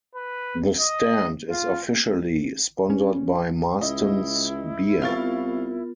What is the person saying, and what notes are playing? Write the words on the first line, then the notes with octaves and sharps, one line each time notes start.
The stand is officially sponsored by Marston's beer.
B4
D#5
F4
C#4
C#2 E4 D#5
C2 B3 F4 A#4 F5 C#6 A6